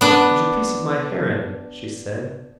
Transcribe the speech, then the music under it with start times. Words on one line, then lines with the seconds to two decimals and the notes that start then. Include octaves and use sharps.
"There's a piece of my hair in it," she said.
0.01 B3 D4